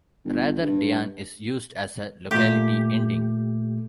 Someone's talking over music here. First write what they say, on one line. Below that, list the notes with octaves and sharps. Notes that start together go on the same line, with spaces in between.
Rather, "dian" is used as a locality ending.
G1
G2
A#2 A3 G4